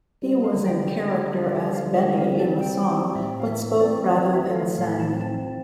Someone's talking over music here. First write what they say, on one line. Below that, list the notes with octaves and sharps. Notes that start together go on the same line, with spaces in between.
He was in character as Benny in the song, but spoke rather than sang.
G3
F5
D3
G5
D3 G5
G5
G3
D3 E5
F5
G3
E5
C4 F5
A5
G3
G5
C4 G5
A2 E5
F5
E3 E5
C4 D5
E3 D5
E5
A3
F5
A2 F5
A5
C4
A5
F3